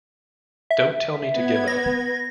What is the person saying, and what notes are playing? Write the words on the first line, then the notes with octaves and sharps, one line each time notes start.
Don't tell me to give up.
E5
B3 G#6
A#6